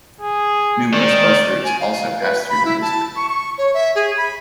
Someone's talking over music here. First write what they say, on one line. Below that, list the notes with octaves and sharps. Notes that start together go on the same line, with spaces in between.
Numerous bus routes also pass through the district.
G#4
D#3 D5
G#5
F5
B4
B5
E4
A5
C#6
C#6
C#5
E5
G#4
B5